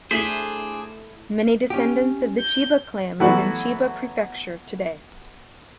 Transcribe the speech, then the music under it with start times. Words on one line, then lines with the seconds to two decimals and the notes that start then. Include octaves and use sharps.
Many descendants of the Chiba clan live in Chiba Prefecture today.
0.11 A3 D4 E4 G#4 C5 B6 C7
1.70 C#4 G4
2.39 G6
3.20 E3 F#3 A3 B3 E4 F#4